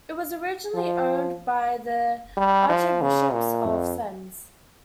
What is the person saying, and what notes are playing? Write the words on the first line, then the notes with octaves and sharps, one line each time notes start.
It was originally owned by the archbishops of Sens.
F3
G3
F3
C#3
A#2
F2